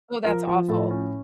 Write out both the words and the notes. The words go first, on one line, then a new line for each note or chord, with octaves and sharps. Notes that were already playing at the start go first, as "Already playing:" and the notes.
Oh, that's awful.
F3 A#4
F3
A2 A4
C#4